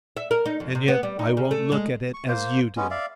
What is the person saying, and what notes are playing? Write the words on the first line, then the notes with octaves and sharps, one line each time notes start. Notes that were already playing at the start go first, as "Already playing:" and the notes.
And yet I won't look at it as you do.
E5
A#4
D#4
F2
C3
B3
G3
D#4
C#3
A3
G#3
C#6
A#3 C5
G#3 B3 C#4
D5 E5 F5